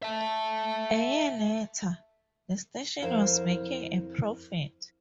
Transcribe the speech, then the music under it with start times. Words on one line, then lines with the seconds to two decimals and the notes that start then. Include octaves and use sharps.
A year later, the station was making a profit.
0.03 E5 A5
3.02 F2 E4 A#4 C5 F5